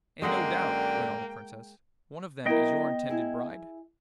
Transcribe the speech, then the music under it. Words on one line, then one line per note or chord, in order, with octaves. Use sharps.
'And no doubt,' went on the Princess, 'one of them is your intended bride?'
F#2 D3 G#3 A#3 D#5 F#5 G5
F#3 B3 E4 A#4 D#5 G5
E4 G#4